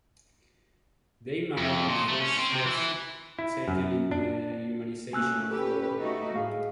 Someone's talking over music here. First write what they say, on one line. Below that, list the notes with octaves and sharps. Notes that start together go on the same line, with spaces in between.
They mark the first steps taken in the humanization of war.
F2
A#2
A3
C#4
C4
C3
E3
E4
F#2
D4
A3 A#3 C#4 G#5 E6 F#6
C#4 G4 A4 B4
A3 D#4 F#4
A2 G#4 F5